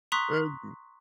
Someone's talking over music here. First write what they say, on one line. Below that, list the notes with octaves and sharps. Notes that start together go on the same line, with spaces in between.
And, m
A#5 C6 C#6 D#6 F#6 B6